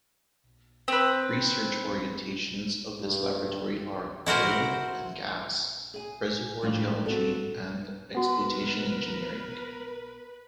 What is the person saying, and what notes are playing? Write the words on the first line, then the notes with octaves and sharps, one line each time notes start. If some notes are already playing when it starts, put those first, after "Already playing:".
Research orientations of this laboratory are: oil and gas reservoir geology and exploitation engineering.
C4 B4
G2
E4 F#4 A#4 C5
G#4 G#5
A2 F3 G3 D4 F4
C4 F#4 A4
B3 F#4 A#4 B4 F#5